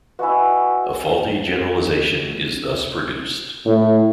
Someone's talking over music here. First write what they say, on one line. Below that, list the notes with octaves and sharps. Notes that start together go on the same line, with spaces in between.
A faulty generalization is thus produced.
E4 F#4 B4 D#5 G#5
A2